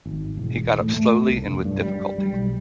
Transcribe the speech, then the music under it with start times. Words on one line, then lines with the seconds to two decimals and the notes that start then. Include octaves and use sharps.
He got up slowly and with difficulty.
0.06 G#1
0.37 E1
0.80 A2
0.93 A3
1.28 C2
1.43 F1
1.65 G2
1.81 G3
2.18 G3
2.32 B1